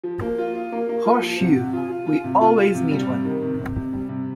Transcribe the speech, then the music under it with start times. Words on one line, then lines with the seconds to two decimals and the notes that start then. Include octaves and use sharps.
Hortefeux - We always need one!
0.04 F3
0.21 A#3
0.38 F4
0.55 F4
0.72 A#3
0.89 A#3
1.06 F4
1.22 F3
1.40 C3
1.56 C3
1.73 F4
1.90 F4
2.07 F4
2.24 C3
2.41 F4
2.57 F4
2.74 C3
2.91 G3
3.08 C3
3.25 D#3
3.42 C3
3.59 C3
3.76 C3
3.93 G3
4.09 C3